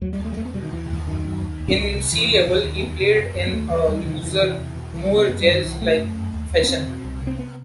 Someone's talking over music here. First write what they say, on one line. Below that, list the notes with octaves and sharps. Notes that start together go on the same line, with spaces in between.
In Sea Level he played in a looser, more jazz-like fashion.
D#2 F#3
G3
D#2
A3
G3
E2 A3
B3
B2 G3
D#3
D#2 E3
D#2
F#2 D#3
F#2
D#2
D#2
C2
C3
E2 E3
B2
D#2
D#2
E2 B3
C3
F#2
F#2
B3
D#2 A3
D#2 E3
E2 G3
C3 D#3
E2 E3
D#3
C3 E3
E2
B2
C2 E3
G3
C3
B3
F#2 B3
G3
F#2
D#3
C2 E3
B2 A3
F#2
F#2
D#2
D#2
B3
E2 C4
B2
C2
C3
C4
B3